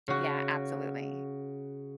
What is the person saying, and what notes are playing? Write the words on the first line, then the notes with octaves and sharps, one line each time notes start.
Yeah, absolutely.
C#3 F#4